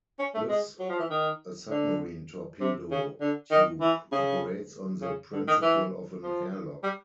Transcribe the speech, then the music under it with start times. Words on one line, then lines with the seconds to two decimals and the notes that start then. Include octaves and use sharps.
Thus a submarine torpedo tube operates on the principle of an airlock.
0.19 C#4
0.34 A3
0.49 G#3
0.80 F#3
0.89 F3
0.99 E3
1.10 D#3
1.70 D3
2.61 C3
2.91 C#3
3.21 D3
3.51 D#3
3.81 E3
4.12 C#3
5.01 C#3
5.33 D3
5.47 D#3
5.62 E3
6.23 F3
6.83 G3